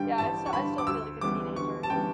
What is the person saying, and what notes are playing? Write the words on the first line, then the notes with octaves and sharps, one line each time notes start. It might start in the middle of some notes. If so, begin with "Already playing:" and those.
Yeah. I still I still feel like a teenager.
Already playing: A1 G2 D3 G3 G5
A1 A5
C#6
G2 D3 G3 B5
D6
D2 E6
C#3 E3 G3 B3 D6
D2 C#6
A5
C#3 E3 G3 B3 G5